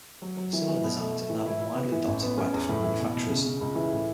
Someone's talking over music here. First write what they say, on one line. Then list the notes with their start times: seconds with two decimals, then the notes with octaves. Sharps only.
Similar designs have now been widely adopted by different manufacturers.
0.22 F#3
0.37 F#3
0.53 E3
0.68 E3
0.84 B2
1.00 A3
1.14 A3
1.30 E3
1.46 E4
1.60 E4
1.76 B3
1.92 E3
2.07 A1
2.23 B3
2.38 C#4
2.53 E2
2.69 A2
2.84 E3
2.99 B2
3.15 B2
3.29 C#3
3.45 C#3
3.61 C#2
3.75 E3
3.91 A2